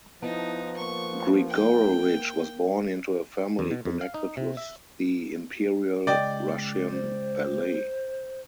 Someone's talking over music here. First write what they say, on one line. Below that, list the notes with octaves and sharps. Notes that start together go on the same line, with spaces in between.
Grigorovich was born into a family connected with the Imperial Russian Ballet.
F3 B3 D#4 E4 A5
A#3 C#6
G5
E2
B2
F2
F5
D#4
C3
E5
C#2 D5 D#5 G5
C5